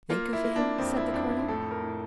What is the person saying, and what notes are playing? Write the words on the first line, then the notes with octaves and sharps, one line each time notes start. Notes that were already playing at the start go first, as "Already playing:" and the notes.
"Think of him?" said the colonel.
A#3 F4
E4
A#3
D4
F2 C4
E4
F2 D4
E4
A2 A4
A#4
A2